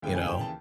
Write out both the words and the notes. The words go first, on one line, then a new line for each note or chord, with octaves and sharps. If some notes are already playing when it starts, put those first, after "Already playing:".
you know?
D#2 C#3 E3 G5
G#5
G5
A5